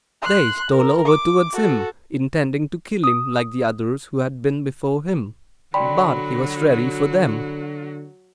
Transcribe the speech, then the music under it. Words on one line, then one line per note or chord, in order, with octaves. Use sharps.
They stole over towards him, intending to kill him, like the others who had been before him: but he was ready for them.
C6 F#6
A#4
D6
F#4 A4
D#6
D3 F#3 F#4 D5 G5 B5 C6